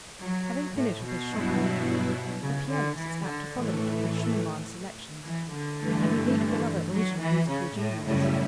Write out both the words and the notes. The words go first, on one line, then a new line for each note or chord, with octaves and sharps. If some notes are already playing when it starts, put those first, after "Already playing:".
Having finished with his Chopin group, the pianist is apt to follow it with his Schumann selections, and we meet with another original musical genius.
F#3
A2
B2
G2 F#3 B3 E4
C#3
D3
E3
D3
A2 E3 A3
E3
D3
G2 E3 A3
F#3
E3
C#3
A2
F#2 A2 C#3 G3 C#4 E4